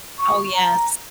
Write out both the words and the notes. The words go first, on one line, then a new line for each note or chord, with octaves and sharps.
Oh, yes.
C#6
A#5